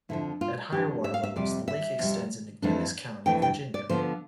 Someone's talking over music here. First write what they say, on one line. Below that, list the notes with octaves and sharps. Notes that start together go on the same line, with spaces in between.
At higher water levels, the lake extends into Giles County, Virginia.
F2 D3 F3 E4
F4
F2 D3 F3 G4
E5
F5
E5
F2 C3 G3 D5
E5
F2 C3 G3
F2 E3 A3 D4
F2 E3 A3 D4 G5
G5
D5
D3 F3 B3 C5